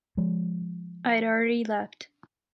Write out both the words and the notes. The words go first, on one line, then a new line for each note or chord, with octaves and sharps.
I’d already left.
F3 G#3